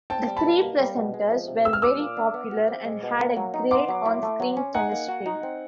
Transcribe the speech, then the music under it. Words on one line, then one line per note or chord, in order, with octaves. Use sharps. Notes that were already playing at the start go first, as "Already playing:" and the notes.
The three presenters were very popular and had a great on screen chemistry.
C4 G5 A5
G3
A5 B5
B2
A#3
G3
B2
G#3
F3
C3
B3 E6
F6
G3 D6 E6
A#2
D4
B3
F#4
C4
G#3
B2
A#3
F#3
D#4
B3 C6 D6
F#3
E4
A3
F#3
C#4
D#4 F#5 G#5
A#3
F#4
D#4
C4